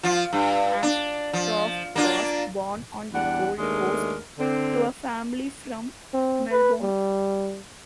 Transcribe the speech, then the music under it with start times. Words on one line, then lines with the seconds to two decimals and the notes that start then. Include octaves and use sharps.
Ashcroft was born on the Gold Coast to a family from Melbourne.
0.03 F3 F4
0.33 G2
0.83 D4
1.33 F3
1.95 A#3 D4 F4
3.13 E2 G3 D4 F#5
3.58 D#2 G#3 A3 D4 A#4
4.38 D3 C4
6.13 C4
6.51 B4
6.82 G3